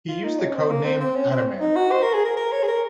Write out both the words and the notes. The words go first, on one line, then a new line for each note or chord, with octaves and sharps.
He used the code name "Ataman".
F4
D#4
C#4
C#4
C4
A#3
C4
C4
C#4
C4
D#4
F#4
C5
A#4
G#4
A#4
A#4
C#5
G#4
A#4